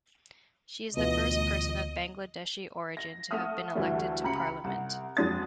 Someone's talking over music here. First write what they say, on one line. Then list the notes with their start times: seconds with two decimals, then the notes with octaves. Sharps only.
She is the first person of Bangladeshi origin to have been elected to Parliament.
0.97 D2 B2 E3 F4 D#5
2.97 A#6
3.31 A3 F#5 D#6 F6
3.75 D2 E3 G3 A3
4.24 C#2 A#5 B5 C#7
4.64 C2 F#5
5.17 F2 F#3 G#3 D4 D#6 A6